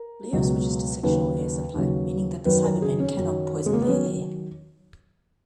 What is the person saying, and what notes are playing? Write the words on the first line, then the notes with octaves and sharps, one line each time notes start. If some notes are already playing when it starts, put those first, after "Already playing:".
Leo switches to sectional air supply, meaning that the Cybermen cannot poison their air.
Already playing: A#4
C#2 B2 F#3
D#2 C#3 F#3 B4
D#2 C#3 F#3
F#2 D#3 F#3 B4
A#4
G#4
C#4
F#2 D#3 F#3
G#3
A#3
B3
D#3 F#3 C#4